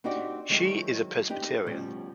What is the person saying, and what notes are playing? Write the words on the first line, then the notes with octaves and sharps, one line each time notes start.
She is a Presbyterian.
C4 D4 D#4 F#4 G4 D5
D#3 F#3 G#3 C4 E4 C#5
C4 D4 D#4 G4 C5
D2 B2 F3 G3 C#4